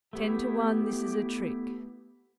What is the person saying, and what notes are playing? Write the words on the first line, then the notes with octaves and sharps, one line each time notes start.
"Ten to one this is a trick."
A3 B3 E4 G4